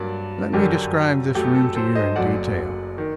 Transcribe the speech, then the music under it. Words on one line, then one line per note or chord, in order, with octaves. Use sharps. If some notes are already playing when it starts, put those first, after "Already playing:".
Let me describe this room to you in detail.
Already playing: G2 F#3 A#3 D5
F#2 D3 F#3 G4 A#4
F#2 F#3 A3 G4
A4
A4 C5
C5 D#5
F#1 F#2 F#3 A3 D5 F#5
D#3